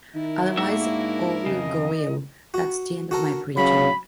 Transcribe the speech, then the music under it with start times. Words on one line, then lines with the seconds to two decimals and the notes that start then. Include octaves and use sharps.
Otherwise, all will go ill. That's the end of my preaching.
0.15 D#3 E4 A#4
0.57 G#2 A#3 D4 F#4 E5
1.46 F2 C#3 D#5
2.54 F#4
3.11 F#4 A4 A#4
3.57 C#3 F#3 B5